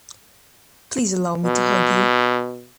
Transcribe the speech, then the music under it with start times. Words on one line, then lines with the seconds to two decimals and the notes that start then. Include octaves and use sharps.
Please allow me to hug you.
1.44 B2